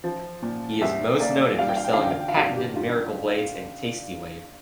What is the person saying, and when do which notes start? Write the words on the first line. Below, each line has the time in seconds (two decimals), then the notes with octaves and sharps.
He is most noted for selling the patented Miracle Blades and the TastiWave.
0.04 F3
0.42 A#2
0.81 C2 E5
1.20 A#3 D5
1.59 G3 F5
1.68 G5
1.76 F5
1.84 G5
1.93 F5
1.98 D3 G5
2.10 F5
2.20 G5
2.28 F5
2.36 G2 G4
2.57 G4
2.75 G2 F4